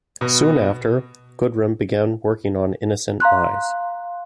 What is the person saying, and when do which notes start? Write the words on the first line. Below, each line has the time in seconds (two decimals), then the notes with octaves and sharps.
Soon after, Goodrem began working on Innocent Eyes.
0.21 B2
3.20 F5 A#5 C6 F#6